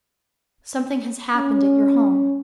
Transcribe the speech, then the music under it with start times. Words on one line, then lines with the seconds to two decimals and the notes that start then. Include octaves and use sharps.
Something has happened at your home.
1.36 C#4